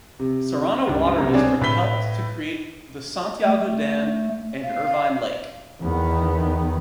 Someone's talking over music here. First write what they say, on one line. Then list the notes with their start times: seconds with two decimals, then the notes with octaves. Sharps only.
Serrano Water District helped to create the Santiago Dam and Irvine Lake.
0.20 C3
0.87 C#2 G2
1.18 C2 B2 A#5
1.34 C4 D4 G#4 C#5
1.61 A2 B4 E5 B6 G7
3.45 A3
4.63 F5
5.81 E2 D#3 B3